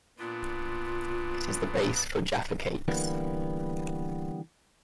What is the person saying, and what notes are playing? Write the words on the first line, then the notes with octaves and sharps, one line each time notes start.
It is the base for Jaffa Cakes.
A#2 B3 D4 F4
D3 E3 G3 A#3 B3